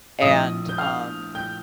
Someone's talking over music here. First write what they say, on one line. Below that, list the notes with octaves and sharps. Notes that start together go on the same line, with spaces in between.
And, um,
A#1 A2 F3 D#5 D#6
G6
F5 F6
G5 G6